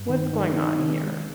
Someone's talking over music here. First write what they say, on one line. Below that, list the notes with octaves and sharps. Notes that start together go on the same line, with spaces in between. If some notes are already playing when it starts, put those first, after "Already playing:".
what's going on here?
Already playing: G2
D#3
D#3
D#4
D#3
G#3